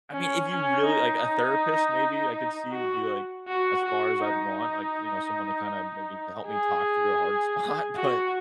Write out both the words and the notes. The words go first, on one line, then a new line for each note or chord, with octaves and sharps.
I mean, if you really like, a therapist maybe, I could see, would be, like, as far as I'd want, like, you know, someone to kinda maybe help me talk through a hard spot. But,
C#4
C#4
D#4
F#4
F#4
F#4
D#4
G#4
F#4